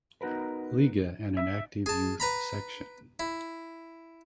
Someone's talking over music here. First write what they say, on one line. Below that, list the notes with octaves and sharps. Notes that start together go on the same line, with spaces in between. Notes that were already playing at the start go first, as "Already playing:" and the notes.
Liga and an active youth section.
B3 D#4 F#4 A#4 B4
E5
G#4 A5
B4 A#5 B5
E4